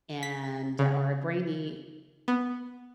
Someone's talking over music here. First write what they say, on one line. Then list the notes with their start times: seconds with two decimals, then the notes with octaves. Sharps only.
and or Brainy,
0.23 B6
0.79 C#3
2.28 B3